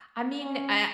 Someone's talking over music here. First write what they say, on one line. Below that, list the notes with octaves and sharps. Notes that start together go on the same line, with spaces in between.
I mean, I
C#4